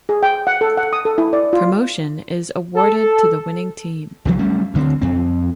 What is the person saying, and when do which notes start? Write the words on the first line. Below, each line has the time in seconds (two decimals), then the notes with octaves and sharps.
Promotion is awarded to the winning team.
0.09 G#4
0.23 G5
0.47 F#5
0.61 A4
0.77 F#5
0.93 D#6
1.05 A4
1.18 E4
1.33 D5
1.53 F4
2.76 A4
4.25 C#2 C3 E3 F3
4.38 F#3 G3 A3 C#4
4.74 D2 D3 A3 C4
5.01 F2 C4